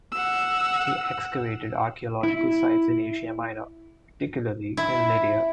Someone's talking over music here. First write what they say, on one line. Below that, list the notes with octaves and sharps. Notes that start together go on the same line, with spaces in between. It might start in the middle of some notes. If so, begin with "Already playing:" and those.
He excavated archaeological sites in Asia Minor, particularly in Lydia.
F#5 E6
E4
E4